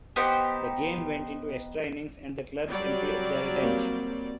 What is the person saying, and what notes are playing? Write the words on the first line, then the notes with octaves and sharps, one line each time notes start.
The game went into extra innings and the Cubs emptied their bench.
B3 D#4 G4 C5
F#3 G3 D5
A#3 C4